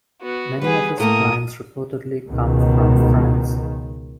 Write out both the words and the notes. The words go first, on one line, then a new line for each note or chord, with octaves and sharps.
Many of its clients reportedly come from France.
B3 F#4
G3 B3 G#4 B4
A2 A#3 A4 A#4 D#6
C#2 B2 D#3